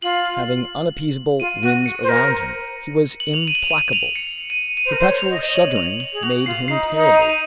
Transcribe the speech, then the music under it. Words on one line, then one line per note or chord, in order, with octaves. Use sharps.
Having unappeasable winds around him, he was implacable. Perpetual shuddering made him terrible.
F4 F#7
F#7
F4 D#7
F#4 D#7
C#7
C5
A#4
F#7
F7
D#7
F#7
F7
D#7
D#7
F7
C#7
D#7
D#7
C5 F7
A#4
C5
C#5
F7
D#5
D#5
C#5 F#7
F7
F#7
G#4
F#4 F7
F4 C7
D#4 C7
D#4
D#7
F7
D#7